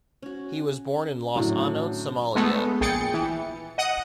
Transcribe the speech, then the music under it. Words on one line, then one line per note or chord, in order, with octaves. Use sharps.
He was born in Las Anod, Somalia.
C#4 F#4
A2 D3 F#3 C#4 D4
G#3 A3 B3 A4
A#1 G#4 G5 A6 C#7
E3
D#5 F#5 D#6